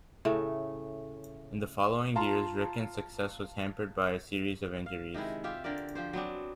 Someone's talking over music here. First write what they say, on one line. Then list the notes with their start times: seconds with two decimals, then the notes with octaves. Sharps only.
In the following years, Ricken's success was hampered by a series of injuries.
0.25 A2 C#3 A3
2.16 F4 A5 A#5 C6
4.86 F5
5.14 C3 D#3 G#3 E4
5.44 F4 G4 E5
5.64 D3 G4 A#4 D5
5.95 F3 G4 C5
6.13 F#3 B3 C4 D4